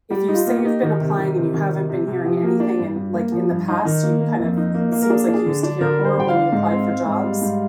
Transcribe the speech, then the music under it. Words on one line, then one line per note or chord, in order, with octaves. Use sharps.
if you say you've been applying and you haven't been hearing anything and like in the past, you kind of seems like you used to hear more when you applied for jobs
G3 G4
D#4
F4
A#3
G4
D#4
D#3
C3
D#3
C3
D#3
C3
C3
C3
F3 G4
A#3
D4
G2
G2
A#3
F3
G2
D#4
D#3
A#3
A#3
F2
D#4
A#3
A#3
A#4
D4 G#4
D4
G#4
D3
D4
D3 A#4
G3
C5
D3 G5
F5
D4
G#2
C4
C4
G#2
G3
G#2